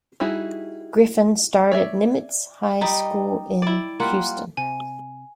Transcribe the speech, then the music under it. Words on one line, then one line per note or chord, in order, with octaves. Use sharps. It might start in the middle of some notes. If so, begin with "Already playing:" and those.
Griffin starred at Nimitz High School in Houston.
G3 D#4 E4 F#4 G#4
C#5 D5 E5
G3 D#4
E4 D5
G3 A#3 F4 F#5
C3 G#5